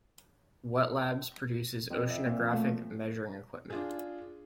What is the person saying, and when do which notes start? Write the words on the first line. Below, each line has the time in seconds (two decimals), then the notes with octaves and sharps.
Wet Labs produces oceanographic measuring equipment.
1.90 F2
2.10 E5
2.25 A#2
2.39 F3
2.53 A3
3.70 D4 F4 G#4